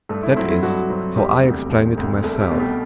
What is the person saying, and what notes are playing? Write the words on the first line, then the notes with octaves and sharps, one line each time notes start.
That is how I explain it to myself.
G2 A3 A4
E4
F#3 C4 E4
E4
G2 F#4
F#3 C4
E1 G3 G4
D2 C3 G3
E1
D2 C3 G3
C2 A3 A4
A4
G3 G4
B2 A3
G3 G4